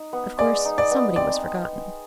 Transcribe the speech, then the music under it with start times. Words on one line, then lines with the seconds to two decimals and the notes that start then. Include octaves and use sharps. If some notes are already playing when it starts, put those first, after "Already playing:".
Of course somebody was forgotten.
Already playing: D#4
0.13 B3
0.39 G#3 D5
0.65 D#4
0.78 D5
0.91 B3
1.16 C4 D5